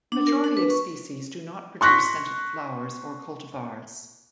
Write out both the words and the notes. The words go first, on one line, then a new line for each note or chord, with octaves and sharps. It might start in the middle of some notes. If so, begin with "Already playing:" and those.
The majority of species do not produce scented flowers or cultivars.
D4
A#4
D4
B4
C#6
C6 C#6 F#6 A#6 B6